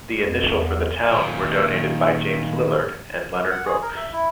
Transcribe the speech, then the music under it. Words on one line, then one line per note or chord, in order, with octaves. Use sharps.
The initial for the town were donated by James Lillard and Leonard Brooks.
F2
E2
A#2 D#3
F#5
G#4
A#4
E5
E4